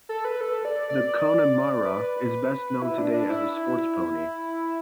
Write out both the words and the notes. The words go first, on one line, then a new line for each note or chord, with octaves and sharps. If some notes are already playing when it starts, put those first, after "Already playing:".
The Connemara is best known today as a sports pony.
A4
B4
A4
D5
D5
B4
E4
D4
D4
E4